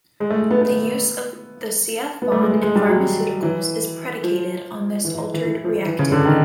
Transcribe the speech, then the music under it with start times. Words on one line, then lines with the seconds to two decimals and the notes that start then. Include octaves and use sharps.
The use of the C-F bond in pharmaceuticals is predicated on this altered reactivity.
0.20 G#3
0.30 A3
0.51 B3
0.61 B3
2.22 B3
2.32 A3
2.42 G#3
2.52 G#3
2.62 G#3
2.75 G3
2.89 F#3
3.43 E3
4.24 F3
5.05 E3
5.15 E3
5.34 E3
5.45 E3
5.64 F3
5.86 E3
5.99 C#3
6.12 D3
6.26 D#3